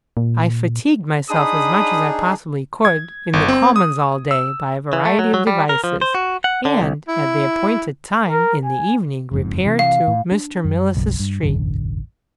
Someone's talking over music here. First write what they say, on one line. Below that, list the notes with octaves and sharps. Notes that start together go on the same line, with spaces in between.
I fatigued myself as much as I possibly could in the Commons all day, by a variety of devices, and at the appointed time in the evening repaired to Mr. Mills's street.
A#2
D4 D#4 G#4 B5 D#6
G#6
G1
C4
D#6
E6
E3
A3
F#3
F#3
G3
A#4
F3
C5
F#4
F#5
D3
C2
E4
A#4
G#5
F#1 F2 G#2
C3 E3
F5
A2
D4
F#2
F#1 B1 F#2
G2
E1 A1 F#2 D3